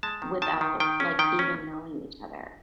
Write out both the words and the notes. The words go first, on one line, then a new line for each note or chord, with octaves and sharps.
without, like, even knowing each other.
G#3 A5
D#3
D#3 A5
D#3
D#3 G5
C#4
D#3 G5
C#4